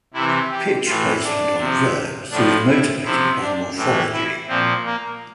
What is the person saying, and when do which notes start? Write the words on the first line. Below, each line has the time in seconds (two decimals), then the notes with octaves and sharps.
Pitch placement on verbs is motivated by morphology.
0.14 C3 E3 E4
0.51 G4
0.86 A2 E3 F4
1.23 D4
1.58 C3 F3
2.31 A2 F3 D4
2.68 E4
3.04 C3 F3 E4
3.40 D4
3.76 A2 E3
4.13 E4
4.48 A#2 F3 C4
4.85 A#3